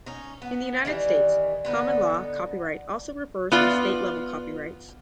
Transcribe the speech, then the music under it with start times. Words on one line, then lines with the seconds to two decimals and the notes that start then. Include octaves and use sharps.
In the United States, common law copyright also refers to state-level copyrights.
0.06 C#4 D#4
0.42 B3
0.85 D#3 E3 G3
1.65 D3 B3 D#4
3.52 B3 F4 D5